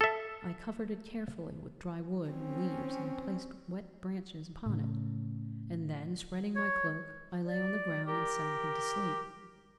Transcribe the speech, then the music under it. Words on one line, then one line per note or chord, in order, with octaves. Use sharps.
I covered it carefully with dry wood and leaves and placed wet branches upon it; and then, spreading my cloak, I lay on the ground and sank into sleep.
A4 E5
C4 C#4
A2 C#3
C#5
D5
G4 A#4